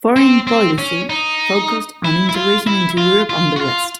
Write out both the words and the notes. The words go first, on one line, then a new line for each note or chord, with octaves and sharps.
Foreign policy focused on integration into Europe and the West.
C4
C4
C#4
D#4
E4
E4
F4
E4
F4
F4
F#4
F4